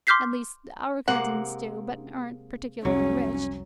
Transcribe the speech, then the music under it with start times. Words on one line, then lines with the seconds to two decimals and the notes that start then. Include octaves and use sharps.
At least, our cousins do, but aren't particularly rich.
0.07 C6 D6 F6 G6 B6 C7
1.08 C3 G#3 A#3 F#5
2.85 C2 F2 F#3 C#4